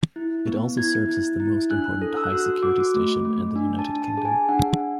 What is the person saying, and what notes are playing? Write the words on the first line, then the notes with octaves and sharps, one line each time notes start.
It also serves as the most important high-security station in the United Kingdom.
E4
B3
E4 G#6
E4
E4
D4 F#6
A4
E6
F#6
F#4 E6
F#4 D6
A3
A3
D4
A5
D4
A5
G#4
G#5
D4 F#5
D4